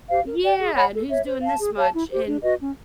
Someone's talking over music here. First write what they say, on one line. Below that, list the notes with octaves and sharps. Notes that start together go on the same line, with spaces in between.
Yeah, and who's doing this much, and
G4 C5 F5
A#4
D5 G5
G#4
C#5 F#5 B5
A4
C#5 E5
C5
F5 A5
G#4
C#5 F5 A5
E4
G4 C5
D4
F#4 B4 D#5
C#4